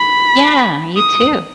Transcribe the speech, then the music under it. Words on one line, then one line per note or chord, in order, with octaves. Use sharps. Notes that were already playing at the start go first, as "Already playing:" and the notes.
Yeah, you too.
Already playing: B5
D#6